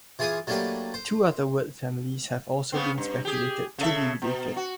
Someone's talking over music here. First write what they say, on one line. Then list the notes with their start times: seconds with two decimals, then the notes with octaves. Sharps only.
Two other word families have also been speculated to be related.
0.19 E3 F4 G#4 G#5 D6 D#6
0.47 F#3 A3 A#3 D4 G4 B4
0.94 C5
2.72 C#3 B3 C4
2.98 G2
3.25 G4 G#4
3.78 C#3 A4 E5
4.22 B2
4.56 F#4